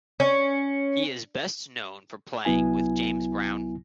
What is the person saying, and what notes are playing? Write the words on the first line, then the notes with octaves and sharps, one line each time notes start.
He is best known for playing with James Brown.
C#4
C2 F#3 B3 E4 G#5